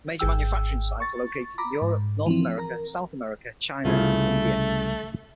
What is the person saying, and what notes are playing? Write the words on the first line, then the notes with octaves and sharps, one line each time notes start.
Major manufacturing sites are located in Europe, North America, South America, China and India.
G#1 G#4 G5 E6
C#6 A6
A#5 B5 D6
G#2
E3 F3 C4
A#4 A#5
C2 C#3 A3 F4